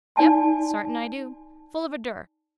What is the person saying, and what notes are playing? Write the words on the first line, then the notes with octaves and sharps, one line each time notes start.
Yup, sartin I do. Full of a dure.
D#4 D5 G#5 A5 C6